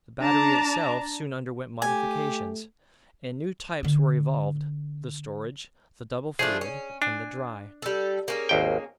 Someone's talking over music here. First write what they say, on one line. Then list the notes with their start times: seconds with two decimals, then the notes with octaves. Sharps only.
The battery itself soon underwent modifications, and new types were evolved--the storage, the double-fluid, and the dry.
0.20 D4 A5 A#5
1.82 A3 G4 G#5
3.83 D3 C#4
6.39 F3 A3 D4 G#4
6.61 C#4
7.02 D4 G#5
7.82 G3 A4
8.28 A#3 C#4 G#4
8.49 G#1 D#2 G5